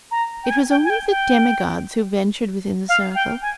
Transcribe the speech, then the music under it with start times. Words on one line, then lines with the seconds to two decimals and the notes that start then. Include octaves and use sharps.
It was only the demigods who ventured within the circle.
0.11 A#5
0.44 G5
0.51 G#5
0.70 G5
0.85 G#5
0.90 G5
1.10 G5
2.89 F5
3.15 G5
3.42 G#5